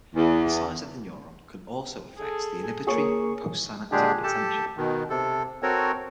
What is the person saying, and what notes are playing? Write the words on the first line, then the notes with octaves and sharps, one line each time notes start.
The size of the neuron can also affect the inhibitory postsynaptic potential.
E2
G#4 A4
A#3 G#4 C#5
A#2 D3 G#3 D4 G4 G#4
G4 A4 A5
B2 D#3
C3 A4
C4 F#4 A4 A#4 C#5